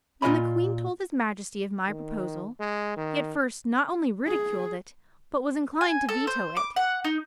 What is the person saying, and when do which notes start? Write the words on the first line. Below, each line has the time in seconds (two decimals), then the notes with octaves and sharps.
When the Queen told his Majesty of my proposal, he at first not only ridiculed it, but was inclined to veto it.
0.22 A#2 F4 D5 D#5 G#5 B5
1.88 D#3
2.60 G#3
2.97 D#3
4.27 G#4
5.81 G#5
6.09 A4
6.27 C5
6.57 D6
6.76 F#5
7.04 D#4